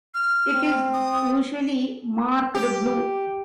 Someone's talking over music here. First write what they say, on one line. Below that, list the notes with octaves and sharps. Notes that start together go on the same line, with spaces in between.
It is usually marked blue.
F6
C4
D#6
G4